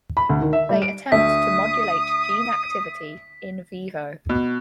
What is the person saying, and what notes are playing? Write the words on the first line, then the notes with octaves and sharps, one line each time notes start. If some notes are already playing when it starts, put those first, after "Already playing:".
They attempt to modulate gene activity "in vivo".
B5
D2
D#3
E5
G3
D7
D2 E5 D#6 B6
B2